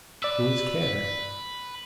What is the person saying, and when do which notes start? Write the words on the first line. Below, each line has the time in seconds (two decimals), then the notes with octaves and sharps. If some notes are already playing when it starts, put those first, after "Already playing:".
"Whose care?"
0.23 B4 D5 E6